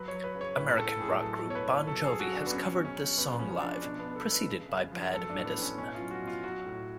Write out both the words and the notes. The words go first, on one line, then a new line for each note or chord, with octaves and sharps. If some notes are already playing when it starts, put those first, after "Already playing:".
American rock group Bon Jovi has covered this song live preceded by "Bad Medicine".
Already playing: F#3 B4
C#5
F#3
B4
C#3
C#5
A2 B4
A2 A4
A2 G#4
F#3 A4
B2
C#5
B4
B2
F#3 A4
G#4
F#3
F#4
C#3
D4
B3
F#3 C#4
B2
C#4
F#3
C#3 B3
F3 C#4
F3 D4
B2 D4
B3
B2
A4
B2
B4
C#3
C#3
F3
F#3 A4
D4
A2
B3
A2 C#4
B2 C#4
F4
F#3
F#4
B2
F4
F#3 F#4
A2